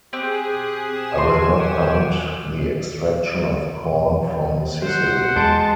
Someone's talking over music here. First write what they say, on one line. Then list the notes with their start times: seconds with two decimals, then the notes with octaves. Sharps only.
I will not permit the extraction of corn from Sicily.
0.13 C4 G4 G#4 D#6 F#6
0.83 G#5 E7
1.18 F#4 A5 C6
1.58 G4 F#5 G5
4.82 C5 F#5
5.36 E2 G#3 A5 C6 D7